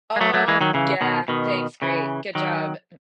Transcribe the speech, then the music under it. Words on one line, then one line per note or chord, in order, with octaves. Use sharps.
Oh, yeah, thanks, great, good job, m
G#3
F#3 A3
F#3 A3
E3 G#3
D#3 F#3
C#3 E3
B2 D#3
B2 D#3
C#3 E3
D#3 F#3